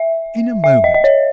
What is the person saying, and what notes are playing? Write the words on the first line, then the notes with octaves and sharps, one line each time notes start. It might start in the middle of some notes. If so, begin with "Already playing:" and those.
"In a moment."
Already playing: E5
E5
D#5
D#5
C#5